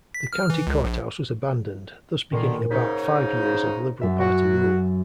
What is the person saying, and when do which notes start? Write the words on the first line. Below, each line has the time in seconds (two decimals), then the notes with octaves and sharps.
The county courthouse was abandoned, thus beginning about five years of Liberal Party rule.
0.14 B6
0.33 F6
0.50 E3
0.67 C#2
0.85 A#1
2.32 A#2 D3 D#3 C7
2.71 G#2 C#3 D#4 B6
4.01 F#2 E5
4.20 F#4